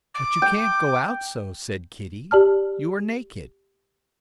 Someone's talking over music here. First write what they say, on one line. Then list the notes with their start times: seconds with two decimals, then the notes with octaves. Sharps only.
"But you can't go out so," said Kitty; "you are naked."
0.14 D6
0.42 G5
2.31 G4 D5 A5 F6